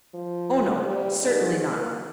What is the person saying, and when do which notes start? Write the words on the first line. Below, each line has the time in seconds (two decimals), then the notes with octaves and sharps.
"Oh, no, certainly not!"
0.14 F3
0.85 G3
1.22 G#2
1.72 A#3